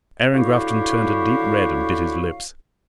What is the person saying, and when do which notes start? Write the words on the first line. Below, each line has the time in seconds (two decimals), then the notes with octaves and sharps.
Aaron Grafton turned a deep red and bit his lips.
0.33 D3 E4 F#4 G4 C#5 F5